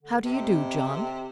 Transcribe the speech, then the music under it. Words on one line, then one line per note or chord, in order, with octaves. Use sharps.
"How do you do, John?"
D3
F2 C3
C4